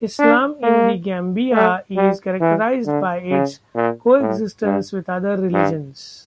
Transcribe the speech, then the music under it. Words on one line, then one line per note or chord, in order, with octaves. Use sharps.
Islam in the Gambia is characterized by its coexistence with other religions.
D4
A#3
A3
G3
E3
D3
C#3
A#2
A2
G2
G2